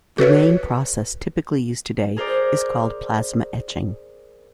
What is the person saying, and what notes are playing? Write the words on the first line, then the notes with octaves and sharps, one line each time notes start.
The main process typically used today is called plasma etching.
F#4 A4 B4 C#5
G#4 A#4 C5 D5